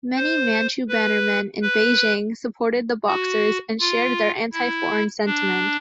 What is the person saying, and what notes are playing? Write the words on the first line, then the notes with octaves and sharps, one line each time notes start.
Many Manchu Bannermen in Beijing supported the Boxers and shared their anti-foreign sentiment.
C5
B4
B4
F#4
F4
E4
D4